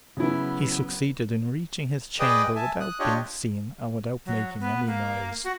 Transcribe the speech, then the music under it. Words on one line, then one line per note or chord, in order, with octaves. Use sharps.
He succeeded in reaching his chamber without being seen and without making any noise.
C#3 F#3 B3 E4
G#4 B4 D5 D#5 G5 D#6
E5 G#5 A5
D#6 F#6
D4 F4 G4 C#5 D#5
F#3
B3
A#3
F#4